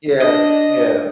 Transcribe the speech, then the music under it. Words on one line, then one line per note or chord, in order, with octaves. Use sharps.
Yeah. Yeah.
D4 D#5